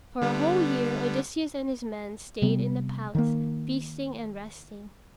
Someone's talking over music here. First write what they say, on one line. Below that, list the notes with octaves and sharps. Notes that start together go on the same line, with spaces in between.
For a whole year Odysseus and his men stayed in the palace, feasting and resting.
D3 G3 B3
C3 G3 B3
D#3 A#3